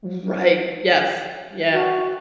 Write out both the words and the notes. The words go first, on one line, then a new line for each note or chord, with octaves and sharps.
Right, yes, yeah.
F#4